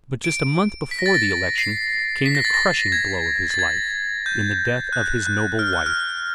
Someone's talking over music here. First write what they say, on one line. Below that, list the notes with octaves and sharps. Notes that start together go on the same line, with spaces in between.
But just a month before the election came the crushing blow of his life, in the death of his noble wife.
D7
B6
A#6
A6
A#6
C7
B6
A#6
A6
A#6
G#6
A6
G#6
G6
F#6
F#6
F6
F#6
F6